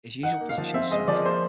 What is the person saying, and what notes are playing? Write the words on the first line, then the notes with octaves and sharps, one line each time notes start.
His usual position is centre.
D#4 F#5
A#3
F5
F3
C4 E5
G#3 D#5
F3 D5
A#3 C5